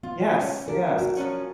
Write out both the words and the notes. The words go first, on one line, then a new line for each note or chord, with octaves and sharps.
Yes, yes.
B3 F4
C#4
D4 A#4
F#4
F3 F#3 C#4